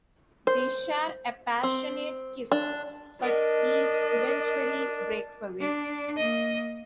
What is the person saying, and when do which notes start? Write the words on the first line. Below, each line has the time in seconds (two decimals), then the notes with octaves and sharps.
They share a passionate kiss but Eve eventually breaks away.
0.47 C5
1.63 C4
2.52 D4
3.22 D4 A#4 D#5
5.60 D4
6.17 A#3 D#5